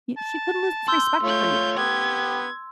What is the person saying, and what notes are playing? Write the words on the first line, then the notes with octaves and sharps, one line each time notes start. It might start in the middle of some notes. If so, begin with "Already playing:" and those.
she could lose respect for you.
A5
C6 E6 G6
A3 F4 C#5 G6
B3 G4 G#6